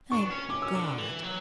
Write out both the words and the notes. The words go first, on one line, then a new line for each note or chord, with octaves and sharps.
"Thank God!"
D4 C#6
B3
C#4
C#4 D6
E6
D3 D6
E3
F#3